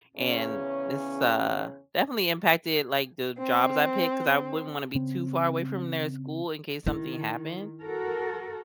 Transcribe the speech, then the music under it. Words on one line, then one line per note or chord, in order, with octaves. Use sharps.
And, it's, uh, definitely impacted, like, the jobs I picked 'cause I wouldn't want to be too far away from their school in case something happened.
E2 C#3 C#4
C4
C#3 C4
D#3 E4
F#4 A4 A#4